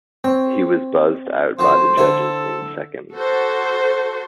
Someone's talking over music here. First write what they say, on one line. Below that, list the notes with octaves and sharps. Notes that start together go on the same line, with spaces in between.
He was buzzed out by the judges in seconds.
C4 C#5
F2 D#3 F#4 C5
D3 E4 A4 C5 G#5
F#4 A4 C5